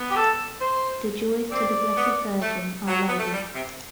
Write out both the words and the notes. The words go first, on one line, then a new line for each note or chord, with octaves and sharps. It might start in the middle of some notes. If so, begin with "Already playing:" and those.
The joys to the Blessed Virgin, Our Lady.
Already playing: B3
G4
A4
C5
C4 D5
B3
A3
F#3
B3
A3
G3
C3